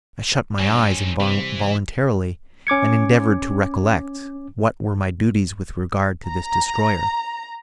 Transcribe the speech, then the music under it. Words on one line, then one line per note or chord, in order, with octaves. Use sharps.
I shut my eyes involuntarily and endeavoured to recollect what were my duties with regard to this destroyer.
G2 C4 D#4 C#5 G#5
C3 E3 G3 C5
C#4 D6 G#6 C#7
A#5